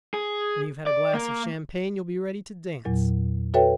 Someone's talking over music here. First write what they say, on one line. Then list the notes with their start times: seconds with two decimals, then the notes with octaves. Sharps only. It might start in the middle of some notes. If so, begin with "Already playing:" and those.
When you've had a glass of champagne, you'll be ready to dance.
0.14 G#4
0.87 D5
1.14 A#3
2.85 E2 A#2 F#3
3.54 F#4 A4 B4 C#5 E5 G5